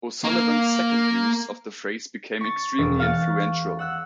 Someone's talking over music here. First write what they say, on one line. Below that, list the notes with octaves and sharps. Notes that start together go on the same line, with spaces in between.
O'Sullivan's second use of the phrase became extremely influential.
A#3 A#4
C#6 A6
E1
F5 C#6 F6 F#6 A6
F#5 E6 F#6